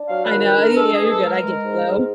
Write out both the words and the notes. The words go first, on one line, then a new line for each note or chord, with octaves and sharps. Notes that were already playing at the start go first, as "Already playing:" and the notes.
I know, yeah, yeah, you're good I get you though.
Already playing: D4
F#3 F5
B4
D#3
B4
D4
A#4
G#3 A4
G#4
E3
G#4
A4
G#3
A#4
G#3
G#2
G#2